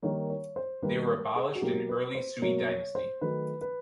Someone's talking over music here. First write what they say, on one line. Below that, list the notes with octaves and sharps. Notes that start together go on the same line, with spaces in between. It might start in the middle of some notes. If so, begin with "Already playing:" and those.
They were abolished in early Sui dynasty.
D#3 G3 A#3 C#5
C#5
C5
D#3 G3 A#3 B4
A#4
G#4
F#4
B2 F#3 A#3 G4
B4
C5
B2 F#3 A#3 C#5
C#5
C5
D#3 F#3 A3 B4
B4